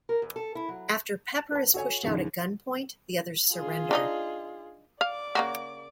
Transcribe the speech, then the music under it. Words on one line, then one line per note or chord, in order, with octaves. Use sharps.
After Pepper is pushed out at gunpoint, the others surrender.
A#4
E2
A4
E4
F#3
B4 A5
F#4 A4 C#5 G#5
D#2 A2 C#3 F3 G#3
F4 G#4
D4 D#4 D#5
D5 F5 D6
C#3 A#3 F#4